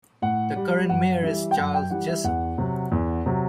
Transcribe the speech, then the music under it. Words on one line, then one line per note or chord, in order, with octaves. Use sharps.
The current mayor is Charles Jessup.
A2 F#5
G3
F#2 F#5
E3 G3 E5
G5
F#2 F#5
G5
E3 G3 F#5
E5
E2 F#5
C3 F#3
E2
C3 F#3